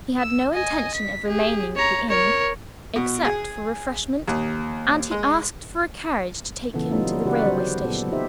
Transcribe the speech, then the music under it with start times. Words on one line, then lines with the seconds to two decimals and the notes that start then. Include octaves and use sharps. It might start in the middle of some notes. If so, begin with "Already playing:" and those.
He had no intention of remaining at the inn, except for refreshment; and he asked for a carriage to take him to the railway station.
0.19 E6
0.53 D#5 G#5
0.95 B6
1.27 G4 G#4
1.76 C#5 A#5
2.09 A#4 C#5
2.96 B2
3.25 G#4
4.28 D#2
5.11 G#3
6.73 A#2 C#3 E3 G#3 B3 A4
6.91 F#3 G3 B3 D#4 F4
7.25 C#3 F#4 G4 B4 D5 F#5
7.44 D3 F#3 G4 C5
7.83 A#2 B3 A4
8.12 D#4 G4 C5 E5